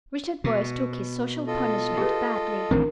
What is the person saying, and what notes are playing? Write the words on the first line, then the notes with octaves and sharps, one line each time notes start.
Richard Boyce took his social punishment badly.
B2
F4 A4 D#5
G4 G#4 B4
A1 D#3 C4 D4 A#4